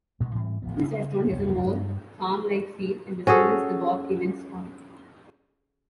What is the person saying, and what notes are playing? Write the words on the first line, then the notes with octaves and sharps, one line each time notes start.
This restaurant has a more farm-like feel and resembles the Bob Evans farm.
A1 A#2 D#3 G#3
G#2 E3 G3 C4
D1 A1 F3 B3
C#3
F1 C#2 G2
G2 G#3
C#4 F#4 G#4 A4